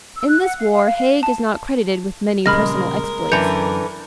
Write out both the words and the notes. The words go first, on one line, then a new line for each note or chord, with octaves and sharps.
In this war, Haig is not credited with many personal exploits.
E6
F#6
F#5
F5
F5
F5
F5
A5
A#1 C#3 G3 G#3 A#4 B5 F6 A#6
F#2 D3 E3 B4 G6 C#7 F7